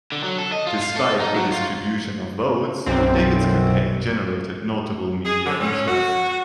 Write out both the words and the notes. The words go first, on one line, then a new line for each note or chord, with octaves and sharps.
Despite the distribution of votes, David's campaign generated notable media interest.
D3
F#3
A4
D#5
F4
F5
A4
D#4
F#3
F4
B1 F#2 C4
G#4
D3
C#4
F#4